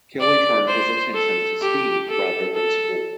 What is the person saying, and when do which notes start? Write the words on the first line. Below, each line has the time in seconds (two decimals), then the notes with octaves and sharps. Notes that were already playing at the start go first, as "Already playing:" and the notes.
Killy turned his attention to skiing rather than school.
0.20 D5
0.67 C5
1.14 A4
1.62 G4
2.08 A4
2.54 A4